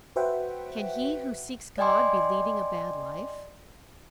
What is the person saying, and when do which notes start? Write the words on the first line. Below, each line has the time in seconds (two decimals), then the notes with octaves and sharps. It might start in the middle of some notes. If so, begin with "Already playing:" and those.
"Can he who seeks God be leading a bad life?"
0.16 F#4 B4 C5 E5 F#5 G5
1.78 D5 D#5 G5 G#5 C6 D6